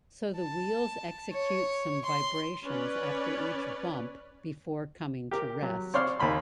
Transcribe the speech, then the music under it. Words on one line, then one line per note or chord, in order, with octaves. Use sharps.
So the wheels execute some vibrations after each bump before coming to rest.
A5
C#5
C6
C#4 B4 C#5 D5
G4 A#4
F#3
C4 C#5 D5 F5 C6 F6
D#2 A#3 B5 C6